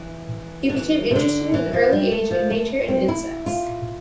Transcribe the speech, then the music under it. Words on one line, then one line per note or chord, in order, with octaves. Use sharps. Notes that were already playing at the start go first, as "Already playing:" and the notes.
He became interested at an early age in nature and insects.
Already playing: E3
D3
E3
C3
D3
E3
F3
G3
A3
F3
A3
C4
E4
F4